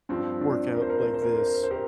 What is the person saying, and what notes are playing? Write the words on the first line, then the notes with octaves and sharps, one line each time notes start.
work out like this,
G2 F3 C4
D4
A#4
C5
A#4
C5
A#4
C5
A#4
C5
A#4
C5
A#4
C5
G4 A#4